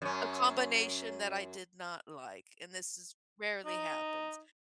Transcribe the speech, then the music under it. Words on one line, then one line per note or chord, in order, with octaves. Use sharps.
a combination that I did not like and this is rarely happens.
F#2 C#4
D#4